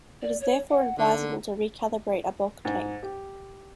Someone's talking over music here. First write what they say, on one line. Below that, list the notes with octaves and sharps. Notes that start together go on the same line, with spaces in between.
It is therefore advisable to re-calibrate a bulk tank.
D5
C#5
F#5
D3 D#4
G#2
G4